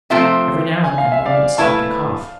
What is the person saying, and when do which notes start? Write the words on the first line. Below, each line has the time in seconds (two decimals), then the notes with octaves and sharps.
Every now and then one would stop to cough.
0.10 C3 F3 A3 C4 F4 C5 E5
0.84 G#5
0.98 F5
1.12 E5
1.26 D5 F5
1.57 A3 E4 B4 F5 A5